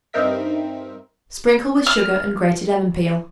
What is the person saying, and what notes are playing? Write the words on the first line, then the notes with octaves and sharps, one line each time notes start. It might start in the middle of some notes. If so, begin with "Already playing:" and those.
Sprinkle with sugar and grated lemon peel.
G2 C4 D#4 A#4 E5 B6
F6